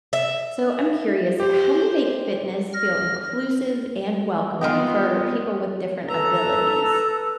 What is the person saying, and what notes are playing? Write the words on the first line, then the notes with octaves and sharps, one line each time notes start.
So, I'm curious, how do you make fitness feel inclusive and welcoming for people with different abilities?
E5
G4 C5
F6 A#6
B3 F4 G#4 D#5 F#5 G5 C6
A4 B4 A#5 E6